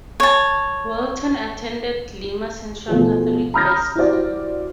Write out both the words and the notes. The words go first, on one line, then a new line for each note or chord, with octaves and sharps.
Walton attended Lima Central Catholic High School.
C#5 A5
B2 F3 A3 G#4
A#5 B5 D#6 F6 G6 A#6
E4 F#4 G4 C5 D5